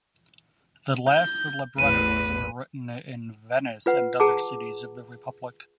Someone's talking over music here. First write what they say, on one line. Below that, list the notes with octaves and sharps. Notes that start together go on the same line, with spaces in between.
The last librettos were written in Venice and other cities of the Republic.
G6
A1 E2 A2 B4 D#7
F4 B4 F#5
G#4 F#5 A5 A#5 D6